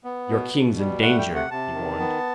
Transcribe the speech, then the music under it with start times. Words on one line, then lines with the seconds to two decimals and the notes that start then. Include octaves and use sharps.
"Your king's in danger," he warned.
0.04 B3
0.29 B2
0.54 B2
0.78 G3
1.02 A3 F#5
1.18 G5
1.27 C3
1.35 F#5
1.51 C3 A5
1.74 D#3
2.00 B3